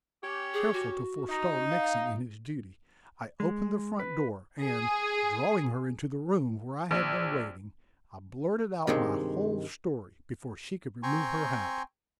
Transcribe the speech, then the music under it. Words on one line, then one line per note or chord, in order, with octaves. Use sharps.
Careful to forestall Nixon in his duty, I opened the front door, and, drawing her into the room where I had been waiting, I blurted out my whole story before she could remove her hat.
C#4 G4
G#4
F#4
D#4
F5
G#3
B4
G#4
A#1
G2 C3 D#3 G#3
C4 G5 G#5 A#5 C6 C#6